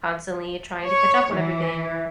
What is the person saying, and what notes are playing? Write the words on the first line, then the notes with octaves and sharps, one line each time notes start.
constantly trying to catch up with everything or,
C#5
E3